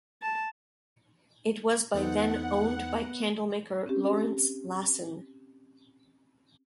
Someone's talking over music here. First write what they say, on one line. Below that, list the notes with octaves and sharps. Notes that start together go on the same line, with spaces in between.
It was by then owned by candlemaker Lorentz Lassen.
A5
E2 B3 C4 D#4 A4 F#5
C4 C#4 G4